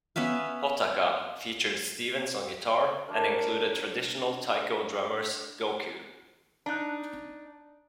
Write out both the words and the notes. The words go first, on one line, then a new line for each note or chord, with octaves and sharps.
"Hotaka" featured Stevens on guitar, and included traditional Taiko drummers Gocoo.
B3 C#4 E5 F5
D4 F#4 A#4
D4 D#4 A#5 F#6